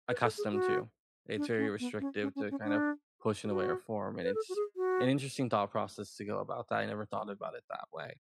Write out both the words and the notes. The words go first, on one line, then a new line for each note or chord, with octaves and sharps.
accustomed to. It's very restrictive to kinda push in a way or form, and it's an interesting thought process to go about that, I never thought about it that way.
B4
A4
G#4
F#4
D4
C#4
B3
C#4
C#4
C#4
C#4
D4
G#4
F#4
B4
A4
F#4
G#4
F#4